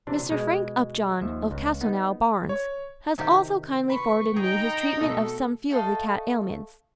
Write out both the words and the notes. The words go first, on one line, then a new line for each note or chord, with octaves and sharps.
Mr. Frank Upjohn, of Castelnau, Barnes, has also kindly forwarded me his treatment of some few of the cat ailments.
C3 E3 D4
B2 G#3
D#2 F3 E5
C#2
B3 D#4
C#5
C3 D#3 G4
B4 B5 C#6
D#4 G#4 G5 A#5
B2 A3 A4
A3 A4 D#5 F5